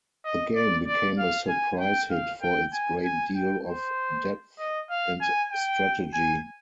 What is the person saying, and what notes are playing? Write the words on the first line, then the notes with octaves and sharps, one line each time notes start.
The game became a surprise hit for its great deal of depth and strategy.
D#5
D5
D5
F5
G#5
G5
F5
G5
G#5
G#5
G5
C5
D#5
F5
G#5
G5
G#5